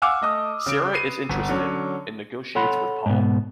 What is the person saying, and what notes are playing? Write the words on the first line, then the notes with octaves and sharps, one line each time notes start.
Sarah is interested and negotiates with Paul.
F5 F#5 G#5 D6 E6 F6
A3 D#5 D#6
C#3 D7
B4 C7 D#7
G1
D3 F#3 C#4
A4 C#5 F#5 B5 C6
G#2 B2